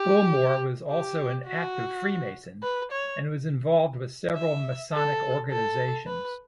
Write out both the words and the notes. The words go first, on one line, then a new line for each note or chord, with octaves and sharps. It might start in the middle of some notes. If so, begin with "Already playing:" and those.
Bullmore was also an active freemason, and was involved with several masonic organizations.
Already playing: G4
G4
F#4
B4
C#5
E5
A4
A4
B4